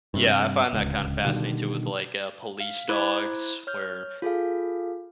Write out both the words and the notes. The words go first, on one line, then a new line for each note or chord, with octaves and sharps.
Yeah, I find that kinda fascinating too with, like, uh, police dogs, where
G2 C3
D1 C#2
B2 D3 D#3 G3
F5
E4 C5 B5 D6 F#6 G#6
C#5 F6 G6
F4 G#4 A4 F5